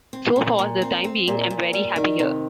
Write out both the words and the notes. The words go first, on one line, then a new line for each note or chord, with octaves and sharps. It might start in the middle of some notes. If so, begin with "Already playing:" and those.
So for the time being, I'm very happy here.
C4
A#2
A#2
C4
C4
A#2
A#2
G3
D#3
C3